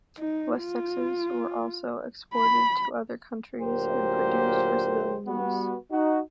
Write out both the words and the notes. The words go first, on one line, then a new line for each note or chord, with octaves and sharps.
Wessexes were also exported to other countries and produced for civilian use.
D#4
F4
B5
D2 A#2 F#3 G4 A#4 C5
G3 B3 F#4
D#4 F#4